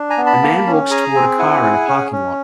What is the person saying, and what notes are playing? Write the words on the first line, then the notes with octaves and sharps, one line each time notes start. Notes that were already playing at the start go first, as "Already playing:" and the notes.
A man walks toward a car in a parking lot.
Already playing: D4
G#5 A#5
B3
A5 B5
A#3
C#4
G#4 G#5 A#5
C4
E4 F#5 G#5
G#4
C#4
C#4